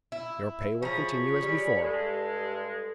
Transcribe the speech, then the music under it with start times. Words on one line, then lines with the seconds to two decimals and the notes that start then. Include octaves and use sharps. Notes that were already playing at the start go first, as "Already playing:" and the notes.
Your pay will continue as before.
0.12 E4
0.83 F3 G#4 C#5 A#5 B5
1.43 G3
1.83 G2 G#3 A4